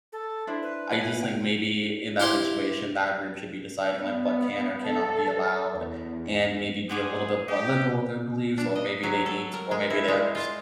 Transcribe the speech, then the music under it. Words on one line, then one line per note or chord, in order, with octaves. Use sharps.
I just think maybe in that situation, that group should be deciding, like, what can or cannot be allowed, and maybe be a little bit more liberal with their beliefs, or maybe they need to, or maybe they underst
A4
D4 E4 C5
B4
E4 G#5
G5
E4 G4 C5 A#5 C6
B3
A4
E2
G#4 C5 F#5 D6
G4 D#5
D4
D#5
F#3
A4
A#4
G#3
E4
G#3
F4